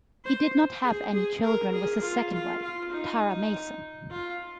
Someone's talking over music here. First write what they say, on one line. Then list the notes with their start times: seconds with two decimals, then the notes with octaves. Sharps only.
He did not have any children with his second wife, Tara Mason.
0.25 C5
0.83 G#4
1.13 G#4
1.43 A#4
1.73 G#4
2.02 F4
2.33 F4
2.62 F4
2.92 D#4
4.11 F4